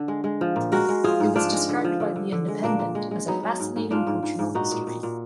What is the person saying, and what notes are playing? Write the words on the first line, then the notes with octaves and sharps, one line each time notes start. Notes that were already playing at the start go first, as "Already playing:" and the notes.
It was described by "The Independent" as 'a fascinating cultural history'.
Already playing: D3
G#3
G#3
F3
A#2
G#3 F#4 A#4
G#3
F3 F4 G#4
G#2
F3 D4 F4
G#3
D3
F3
D3
D3
D3
G#3
A#2 A#3 D4
A#2
G#3
G#3
F#3 B3 D#4
F#3
G#2
G#2
G#2 D4 F4
G#2
G#2
G#2
A#2 D#4 F#4
A#2
A#2
A#2